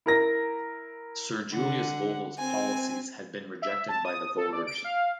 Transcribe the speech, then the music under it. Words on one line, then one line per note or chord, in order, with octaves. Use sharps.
Sir Julius Vogel's policies had been rejected by the voters.
E4 A#4 A#6
D3 F#5
C4 G#5
E5
A5
D#6
A4
D5
D7
F5